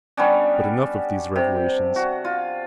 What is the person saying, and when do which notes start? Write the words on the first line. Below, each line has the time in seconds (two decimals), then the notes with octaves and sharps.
But enough of these revelations.
0.17 G3 B3 C#4 D4
1.36 C3
1.96 F#4
2.25 F4